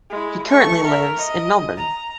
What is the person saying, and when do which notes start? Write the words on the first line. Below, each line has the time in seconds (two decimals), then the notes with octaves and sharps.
He currently lives in Melbourne.
0.10 G#3 E4
0.47 A3 C#6
0.86 A#4 E5
1.17 D#5
1.76 A#5